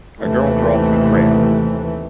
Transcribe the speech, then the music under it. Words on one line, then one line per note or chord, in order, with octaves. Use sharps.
A girl draws with crayons.
D#2 C3 E3 A3